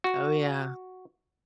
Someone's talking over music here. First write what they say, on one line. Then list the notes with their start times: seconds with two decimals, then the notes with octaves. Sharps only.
Oh, yeah.
0.04 F#4